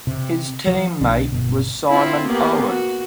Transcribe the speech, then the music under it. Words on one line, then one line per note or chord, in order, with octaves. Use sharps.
His teammate was Simon Owen.
C3
F3
B1 D3 D4
G1 C2 B2
C4 E4 F4
A#3 B3 G4
F#4